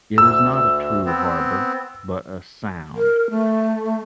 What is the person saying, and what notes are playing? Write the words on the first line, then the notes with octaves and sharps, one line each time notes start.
It is not a true harbor, but a Sound.
D2 E6
B3 C4
A#4
A3